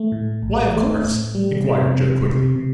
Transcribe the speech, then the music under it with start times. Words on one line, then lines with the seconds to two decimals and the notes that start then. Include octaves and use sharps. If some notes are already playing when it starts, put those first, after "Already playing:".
"Why 'of course'?" inquired Joe quickly.
Already playing: A3
0.12 A2
0.42 A#1
0.73 A3
1.04 A2
1.35 G3
1.64 C3
1.95 C3
2.25 C3
2.56 C3